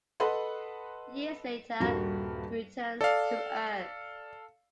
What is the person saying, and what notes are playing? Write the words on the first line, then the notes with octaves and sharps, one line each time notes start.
Years later, he returns to Earth.
A4 B4 D#5 F#5 B5 C6
D#1 G2 F#4 A#4
A4 D5 F5